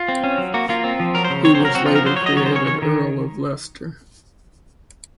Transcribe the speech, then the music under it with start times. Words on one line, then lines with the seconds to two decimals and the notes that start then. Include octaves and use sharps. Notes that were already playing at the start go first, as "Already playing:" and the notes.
He was later created Earl of Leicester.
Already playing: F4
0.08 C4
0.24 C#4
0.38 F#3
0.54 A#3 F#4
0.69 A#3 F4
0.84 C4
1.00 F3
1.15 F#3 A#4
1.25 C5
1.30 C#3
1.45 C4 C#5
1.55 C5
1.60 F#3 A#4
1.75 C4 F#4
1.86 F4
1.90 F3
1.95 A#4
2.05 F#3 C5
2.17 C#5
2.21 F#3 D#5
2.36 D#3 C#5
2.46 C5
2.52 C#4 C#5
2.66 D#3 C#5
2.82 D#3